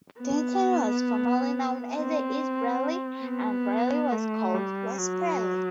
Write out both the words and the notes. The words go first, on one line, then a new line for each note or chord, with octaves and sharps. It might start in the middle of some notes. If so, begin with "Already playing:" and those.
Deighton was formally known as East Bradley, and Bradley was called West Bradley.
B3
C4
B3
A3
G3
F#3